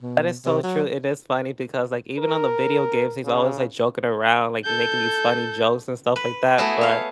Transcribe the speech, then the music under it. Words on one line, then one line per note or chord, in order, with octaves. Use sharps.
That is so true. It is funny because like even on the video games, he's always like joking around, like, making these funny jokes and stuff like that, but
B2
C3
F#3
A#4
C#3
A4 G6
B4
A3 B3 E4 F#4 G#4
C#5 F5